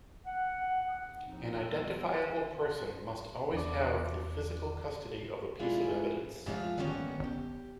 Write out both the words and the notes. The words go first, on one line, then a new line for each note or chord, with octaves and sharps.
An identifiable person must always have the physical custody of a piece of evidence.
F#5
D#2 A2 F3 C4 D#4
D#2 G3 B3 F4 D#5 E6
E2 D4 D6
G#3 A3 D4 E4 F4 G#4
G#2 F3 A3 F4 C5 F5
D3 D#3 G#3 A#3 B3 C#4
G4